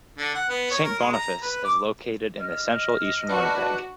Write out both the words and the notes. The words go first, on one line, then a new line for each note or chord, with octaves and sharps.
Saint Boniface is located in the central-eastern Winnipeg.
D3
F#5
B3
C#5
A#4
G#3
A#5
B4
D6
D#5 F6
D4 F#4 B4 C#7